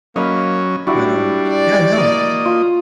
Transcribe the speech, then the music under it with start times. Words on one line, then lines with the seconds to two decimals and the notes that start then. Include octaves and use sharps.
but, um Yeah, no
0.16 F#3 A#3 C#4 D#5 B5
0.87 G3 D4 E4 F#4
1.49 D5
1.97 A#3 D#5
2.45 F4